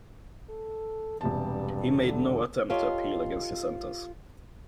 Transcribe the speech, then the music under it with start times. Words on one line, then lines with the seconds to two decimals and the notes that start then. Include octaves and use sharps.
He made no attempt to appeal against the sentence.
0.50 A4
1.21 E1 G2 C3 A5
2.00 D3
2.70 F4 G4 A4 C#5 D#5 F5